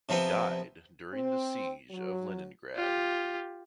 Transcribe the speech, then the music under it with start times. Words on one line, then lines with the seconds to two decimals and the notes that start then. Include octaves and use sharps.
He died during the Siege of Leningrad.
0.09 C3 F3 B3 C4
1.13 C4
1.90 F#3
2.75 F4 G4